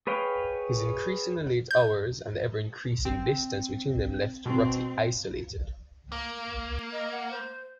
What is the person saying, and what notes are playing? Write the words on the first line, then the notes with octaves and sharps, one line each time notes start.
His increasingly late hours and the ever-increasing distance between them left Ruttie isolated.
G#4 B4 C#5 F5 G5
G6
C4
B2 C4
A#3
D#5
F#5
C5